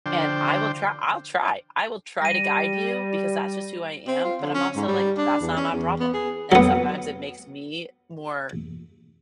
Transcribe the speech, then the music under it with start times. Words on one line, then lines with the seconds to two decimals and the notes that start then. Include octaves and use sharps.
And I will try I'll try. I will try to guide you because that's just who I am, but I'm also like, that's not my problem. And sometimes it makes me more
0.06 D3 F3 D4 C5 G5
2.22 G3 A#6 D#7
4.08 C4
4.24 F4
4.42 D3
4.54 C#4
4.76 G#2
4.88 G3
5.17 D4
5.41 E2
5.56 C#4
5.72 E2
6.00 B3
6.14 G#4
6.52 F#3 B3